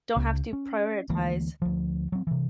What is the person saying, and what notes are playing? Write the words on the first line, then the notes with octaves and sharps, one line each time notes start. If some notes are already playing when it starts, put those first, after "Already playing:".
don't have to prioritize.
C#2 C#3
C#4
D2 E3 G#3 A#3
D2 F3
F#3 C4
C3 E3